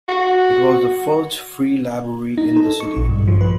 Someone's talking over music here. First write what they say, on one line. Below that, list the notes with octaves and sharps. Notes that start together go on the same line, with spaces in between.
It was the first free library in the city.
F#4
D#4
A4
C#6
A#1
G2
F3
B4